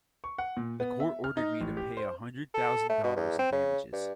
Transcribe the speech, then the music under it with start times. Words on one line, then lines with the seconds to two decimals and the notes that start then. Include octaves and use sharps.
The court ordered me to pay a hundred thousand dollars in damages.
0.24 C#6
0.38 F#5
0.57 A#2
0.80 B3
1.00 E5
1.24 F6
1.37 D#4
1.61 A1
1.77 G4
1.97 C5
2.54 A4
2.89 A3
3.04 B2
3.16 E2
3.39 C4
3.52 C#3
3.93 G2